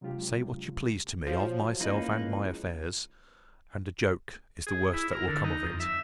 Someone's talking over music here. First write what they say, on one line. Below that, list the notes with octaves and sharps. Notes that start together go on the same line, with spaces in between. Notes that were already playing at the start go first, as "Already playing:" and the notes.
Say what you please to me of myself and my affairs, and a joke is the worst that will come of it.
C3 F#3 G#3 D4 F4 G4
F3 F#3
C#2 A#3 D#4 E4 B4 D#5
G#4
E4
A#4
D3
D#4
F2
E5